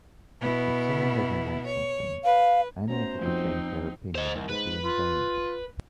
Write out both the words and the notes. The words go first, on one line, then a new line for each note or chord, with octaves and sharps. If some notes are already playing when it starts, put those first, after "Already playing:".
If someone doesn’t want something, any effort to change their opinion will be in vain.
B2 B3 E4
C#5
B4 F5
A3 B3 C#4 F#4 C5 A#5
F2 F3 C4 D#4
C5 D#5
C2 D#3
G#2 B4
F4